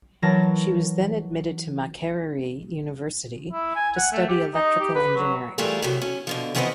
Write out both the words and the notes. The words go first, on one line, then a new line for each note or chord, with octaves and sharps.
She was then admitted to Makerere University to study electrical engineering.
E3 F#3 A#4 A5 A#6
E4
G#5
F#5
A3
G4
D#4
G4
B4
F#3
E3 G3 A3 F4 G#4 A#4
A2 C3 F#3
C#4
B2 D3 F3
D#3 E3 B3 C4 B4 D#5